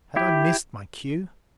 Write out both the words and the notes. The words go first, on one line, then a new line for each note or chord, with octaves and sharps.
Had I missed my cue?
E4 G4